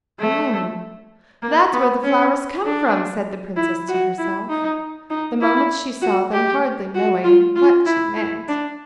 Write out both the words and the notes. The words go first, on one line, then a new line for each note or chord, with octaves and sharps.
"Oh, that's where the flowers come from!" said the princess to herself, the moment she saw them, hardly knowing what she meant.
A3
A#3
B3
C#4
D4
E4
F#4
E4
D#4
D#4
E4
F#4
G4
F#4
F4
F4
E4
E4
D4